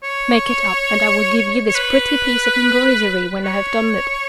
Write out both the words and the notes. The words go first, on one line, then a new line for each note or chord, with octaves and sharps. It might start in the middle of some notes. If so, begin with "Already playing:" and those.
Make it up; and I will give you this pretty piece of embroidery when I have done it.
C#5
C#5
B4
C#5